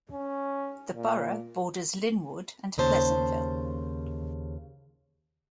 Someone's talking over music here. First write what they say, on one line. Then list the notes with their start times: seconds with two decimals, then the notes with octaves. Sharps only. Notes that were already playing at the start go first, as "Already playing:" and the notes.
The borough borders Linwood and Pleasantville.
0.12 C#4
0.94 A#2
2.78 D#2 C#3 C5 A5